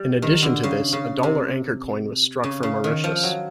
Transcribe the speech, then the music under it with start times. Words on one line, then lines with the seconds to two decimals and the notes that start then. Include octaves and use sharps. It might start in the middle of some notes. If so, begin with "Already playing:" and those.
In addition to this, a dollar anchor coin was struck for Mauritius.
Already playing: G3
0.22 D#3
0.42 D3
0.63 C#3
0.93 C#3
1.23 C3
2.44 C#3
2.63 C#3
2.84 D#3
3.04 F3
3.23 F#3